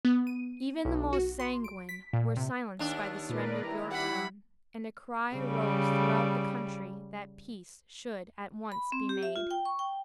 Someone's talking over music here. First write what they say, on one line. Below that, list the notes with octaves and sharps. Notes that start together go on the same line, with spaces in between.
Even the most sanguine were silenced by the surrender of Yorktown, and a cry arose throughout the country that peace should at once be made.
B3
D#7
B1
F#4
C6
D7
B6
A#2
C3
D#2 D4
A#2 A#4 B4 D5
G3 E4 A#5
G4 F#5 B5
C#3 G3
B5
C4
G4
E5
F4
G5
C#6
G5